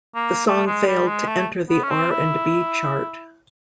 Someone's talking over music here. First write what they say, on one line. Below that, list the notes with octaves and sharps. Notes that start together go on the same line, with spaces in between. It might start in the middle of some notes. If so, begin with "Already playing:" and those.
The song failed to enter the R and B chart.
A#3
A3
G#3
G3
G#3
A3
B3
C#4
C4
E4